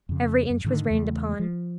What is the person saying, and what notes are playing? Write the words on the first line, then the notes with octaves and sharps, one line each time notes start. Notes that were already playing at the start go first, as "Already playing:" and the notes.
Every inch was rained upon.
F2 C#3
F#2
G#2 D3 D#3
E2 C#3 E3 A3
F3